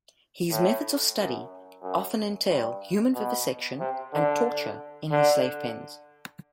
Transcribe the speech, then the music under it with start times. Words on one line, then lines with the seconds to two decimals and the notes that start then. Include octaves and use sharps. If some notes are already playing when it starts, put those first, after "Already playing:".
His methods of study often entail human vivisection and torture in his slave pens.
0.51 A2
1.17 F#2
1.82 F#2
2.48 G2
3.14 B2
3.80 C3
4.13 D3
5.11 D3